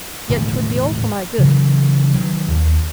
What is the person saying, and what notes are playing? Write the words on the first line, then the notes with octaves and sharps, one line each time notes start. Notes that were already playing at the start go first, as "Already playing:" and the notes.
Yet 'twould be all for my good.
E1 A2 D3 D#3
C#3 E3 F#3
D#3 F#3
D#2